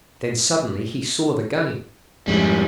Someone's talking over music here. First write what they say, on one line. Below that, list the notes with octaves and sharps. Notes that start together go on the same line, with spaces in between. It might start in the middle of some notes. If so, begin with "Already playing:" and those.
Then suddenly he saw the game.
F2 G#2 C#3 G3